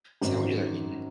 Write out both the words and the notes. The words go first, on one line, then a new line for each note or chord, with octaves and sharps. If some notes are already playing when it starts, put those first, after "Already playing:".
Sandwiches are eaten
G#1 F#2 D#3